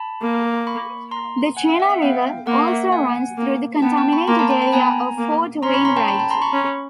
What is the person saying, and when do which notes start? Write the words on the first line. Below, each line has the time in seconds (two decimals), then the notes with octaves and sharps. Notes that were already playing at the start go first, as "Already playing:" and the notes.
The Chena River also runs through the contaminated area of Fort Wainwright.
Already playing: A5 B5
0.22 A#3
0.67 B5 C#6
1.11 A#5 C6
1.57 F#5 G#5
1.68 E5 F#5
1.80 E5 F#5
1.91 E5 F#5
2.02 B3 F5 G5
2.47 A#3 F#5
2.58 F5
2.68 E5 F#5
2.92 F#5 G#5
3.38 A#3
3.82 B3 G5 A5
3.97 G5 A5
4.13 B5 C#6
4.28 A#3 A#5 C6
4.39 A5 B5
4.50 G5 A5
4.62 G5 A5
4.67 B5
4.72 B3 G#5 A#5
5.18 A#3
5.63 C#4 A#5 C6
5.74 B5 C#6
5.85 A#5 C6
5.96 G5 A5
6.08 A5 B5
6.19 A5 B5
6.30 A#5 C6
6.42 B5 C#6
6.53 C#4